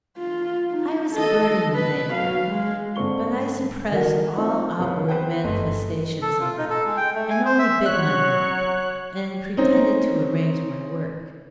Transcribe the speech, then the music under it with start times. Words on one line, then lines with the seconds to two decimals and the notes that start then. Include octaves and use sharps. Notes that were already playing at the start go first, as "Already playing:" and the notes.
I was burning with anger; but I suppressed all outward manifestations of it, and only bit my lip and pretended to arrange my work.
0.18 F4
0.72 D#4
1.14 A4 D#5
1.76 B3 B4
2.12 F#3 F5
2.47 G#3
2.96 G#2 D3 C4 C#6 G7
3.91 D3 D#3 A#3 F#4
4.36 C4 D#4 F4
4.79 C#3 B3
5.08 B4 C5 F#5 G5
5.44 G1 A3 B4 D#5 C6
6.22 A4
6.41 F4
6.58 D#4
6.70 A4
6.86 G#3
6.97 G5
7.15 A3
7.30 G#5
7.45 C5
7.59 E5
7.86 F#3 C#5 F#6
9.57 C4 C#4 D#4